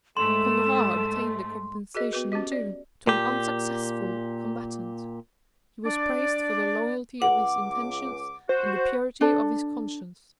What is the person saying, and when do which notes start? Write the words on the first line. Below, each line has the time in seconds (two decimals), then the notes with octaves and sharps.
Conrart obtained the compensation due to an unsuccessful combatant; he was praised for the loyalty of his intentions, and the purity of his conscience.
0.17 G#2 A3 A4 C6 E7
1.95 F#4 G#4 A#4 D#5
2.13 B3 F#4 B4
2.32 C#4 F#4 G4 D#5
2.52 D5
3.07 A#2 G4
5.85 D4 D5
7.22 C#2 F#5 D6
8.49 F#4 C5
9.21 D4 A4